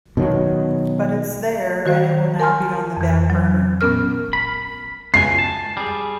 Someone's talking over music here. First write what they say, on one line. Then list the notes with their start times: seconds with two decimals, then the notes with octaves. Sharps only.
But it's there and it will now be on the back burner.
0.17 B2 D#3 F#3
1.86 D#3 F#4 C5 F5
2.40 A#4 G#5 C6 F6
2.97 F2 E3
3.30 F#3
3.81 A#2 B3 C#4 A#4 F6
4.33 B5
5.14 C#2 B2 G#5 C7
5.38 A5
5.77 G3 G#4